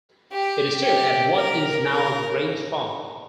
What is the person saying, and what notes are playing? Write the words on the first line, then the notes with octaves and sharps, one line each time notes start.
It stood at what is now Grange Farm.
G4
G4
A#4
A#4